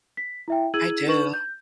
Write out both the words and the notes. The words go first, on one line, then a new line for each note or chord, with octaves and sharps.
I do.
B6
E4 E5 G5
E4 G#4 E6 G#6 D#7 F#7
D4 D#4 B4 C#6 F#7
G6